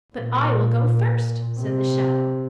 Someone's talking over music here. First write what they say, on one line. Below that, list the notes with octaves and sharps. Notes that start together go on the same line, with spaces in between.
"But I will go first!" said the shadow.
A#2
C3